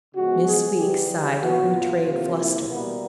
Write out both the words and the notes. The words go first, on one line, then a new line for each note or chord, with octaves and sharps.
Miss Weeks sighed and betrayed fluster.
C#3 F3 G#3 B3 F#4
G#4
C#3 E3 G3 G4
A#2 F#3 B3 F#4
F4
C3 F3 A#3
E4
B2 G3 A#3 B3